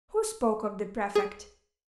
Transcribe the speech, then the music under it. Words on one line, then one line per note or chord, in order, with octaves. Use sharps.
'Who spoke of the prefect?
G#4